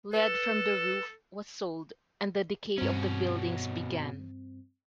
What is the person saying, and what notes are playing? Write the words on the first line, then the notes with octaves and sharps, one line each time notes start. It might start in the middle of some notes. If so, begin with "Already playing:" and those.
Lead from the roof was sold and the decay of the buildings began.
A4 B4
G2 B2 C4 C#4